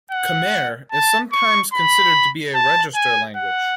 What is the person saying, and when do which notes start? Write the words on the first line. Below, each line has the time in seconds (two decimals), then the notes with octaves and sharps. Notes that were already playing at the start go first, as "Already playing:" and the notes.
Khmer is sometimes considered to be a register language.
0.11 F#5
0.92 A5
1.33 C#6
1.74 B5
2.54 A5
2.95 G#5
3.36 F#5